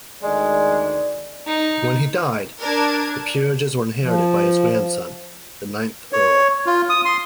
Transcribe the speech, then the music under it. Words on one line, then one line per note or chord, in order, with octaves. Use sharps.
When he died the peerages were inherited by his grandson, the ninth Earl.
D2 D#3 G#3 D5
D#4
D4 A#4 D5 A5 G#6
F3
C#5
F4
D#6
C6